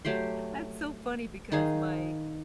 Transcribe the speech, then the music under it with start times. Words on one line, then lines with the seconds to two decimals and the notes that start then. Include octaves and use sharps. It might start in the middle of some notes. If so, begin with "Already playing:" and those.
That's so funny because my,
0.05 F#3 A3 G4 C6
1.52 D#3 D#4 G#4 F5